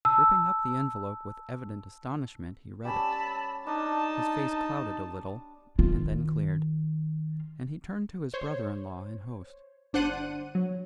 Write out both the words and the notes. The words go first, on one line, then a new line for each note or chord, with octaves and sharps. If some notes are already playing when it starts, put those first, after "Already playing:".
Ripping up the envelope with evident astonishment he read it; his face clouded a little, and then cleared, and he turned to his brother-in-law and host.
A5 E6
G3 C#4 A5 B5 E6
D4 D#4 A5
D#3 F4
C5 C#5
G1 D4 C5 F#5 D#7
F#3